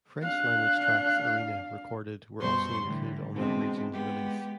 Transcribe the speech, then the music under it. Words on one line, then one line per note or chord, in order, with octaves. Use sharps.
French language tracks Arena recorded were also included on that region's release.
D4 F5 F#6
F#2 B2 G3 C5 C6 C#6
A2 D3 E3 G3
B2 E3 G#3 C4 D4
G#3 B3 G4